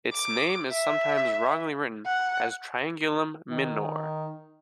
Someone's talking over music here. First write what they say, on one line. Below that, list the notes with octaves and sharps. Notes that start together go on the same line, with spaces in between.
Its name is sometimes wrongly written as Triangulum Min"or".
D6
E5
F#5
D#3